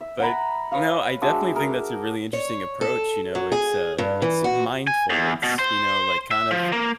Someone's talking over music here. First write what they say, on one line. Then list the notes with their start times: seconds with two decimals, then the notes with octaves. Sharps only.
But, no, I definitely think that's a really interesting approach, you know, it's, uh, it's mindful, it's, you know, like, kind of
0.01 E5
0.20 F#5 G#5 A#5 B5
0.72 B4 C#5 D#5 F5
1.22 G#3 D4 F#4 E5
1.55 G#4 A#4
2.33 C#5
2.81 A4
3.35 F#3
3.52 G#4
3.98 G2
4.22 E3
4.44 F#4
4.87 G#5
5.10 E2
5.43 B2
5.59 C5
6.31 E5
6.51 F3
6.72 A#3